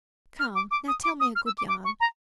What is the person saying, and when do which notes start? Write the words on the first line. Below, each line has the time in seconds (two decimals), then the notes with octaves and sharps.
Come, now, tell me a good yarn.
0.39 F6
0.55 D6
0.71 D6
0.88 D#6
1.04 D6
1.20 D#6
1.35 F6
1.46 E6
1.58 D6
1.68 D6
1.85 C#6
2.00 A#5